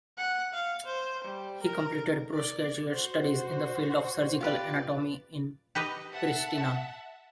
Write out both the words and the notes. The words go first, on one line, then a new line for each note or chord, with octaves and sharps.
He completed postgraduate studies in the field of surgical anatomy in Pristina.
F#5
F5
C5
G3
A#4
D5
F#4 C5
F4 G4 B4 D5 A6
G4 B4 D#5
E5 F#5 A5